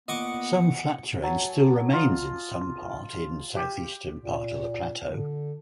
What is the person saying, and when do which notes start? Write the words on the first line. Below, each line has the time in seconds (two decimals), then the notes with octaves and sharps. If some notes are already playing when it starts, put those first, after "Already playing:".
Some flat terrain still remains in some part in southeastern part of the plateau.
0.08 A#2 B3 D#5 F#5 C#6 D6
1.22 F#3 G#5 A5
1.93 F4 D#5
3.56 G4
4.20 A#2
5.06 D3